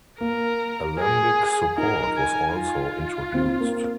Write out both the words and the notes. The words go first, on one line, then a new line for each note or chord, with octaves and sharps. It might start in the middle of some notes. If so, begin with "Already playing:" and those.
Alembic support was also introduced.
A#3 A#4
G#4
D#4 A#4
G#5
F4
C4
A#3